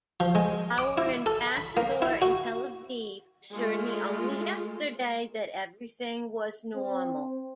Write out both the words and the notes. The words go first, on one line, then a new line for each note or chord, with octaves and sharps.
Our ambassador in Tel Aviv assured me only yesterday that everything was normal.
F3
G#3
D6
E4
A4
B5
A#3
E4
F#4
G#3 A3 F4
C4